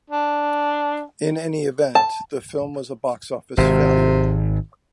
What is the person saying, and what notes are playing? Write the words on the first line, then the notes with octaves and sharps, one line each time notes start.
In any event, the film was a box office failure.
D4
A5
G#1 C3